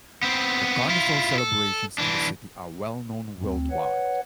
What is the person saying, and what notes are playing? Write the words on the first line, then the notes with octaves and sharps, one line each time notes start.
The carnival celebrations in the city are well-known worldwide.
B3 C4
E4 F4
A4
E3 D4
D2 C4
B4 C#5 F#5